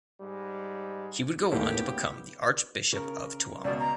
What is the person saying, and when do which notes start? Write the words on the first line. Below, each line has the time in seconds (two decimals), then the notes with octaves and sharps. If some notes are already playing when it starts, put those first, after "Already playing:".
He would go on to become the Archbishop of Tuam.
0.21 G#2 G3 G#3
1.52 D#2 A2 C#3 B3 G4
2.93 C#3 A#4
3.64 C#2 B2 D5
3.79 A#5